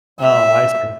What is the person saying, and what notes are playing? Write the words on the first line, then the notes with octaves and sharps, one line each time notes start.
Oh, I see.
E5